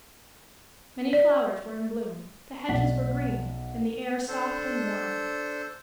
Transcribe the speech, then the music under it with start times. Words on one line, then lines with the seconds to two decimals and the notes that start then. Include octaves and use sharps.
Many flowers were in bloom, the hedges were green, and the air soft and warm.
1.13 D5
2.69 B1 D5 F#5 B6
4.28 D4 A4 C5